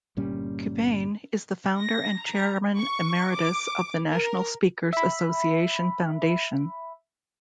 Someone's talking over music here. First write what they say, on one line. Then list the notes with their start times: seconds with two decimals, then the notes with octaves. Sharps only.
Qubein is the Founder and Chairman Emeritus of the National Speakers Association Foundation.
0.17 G1 A#2 G3 C#4
1.79 A#6
2.20 A#5
2.78 C#6
3.33 D6
4.12 A#4
4.93 E5 B5